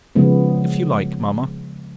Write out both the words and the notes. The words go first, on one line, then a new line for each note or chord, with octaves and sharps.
"If you like, mama."
C#3 F3 G#3 B3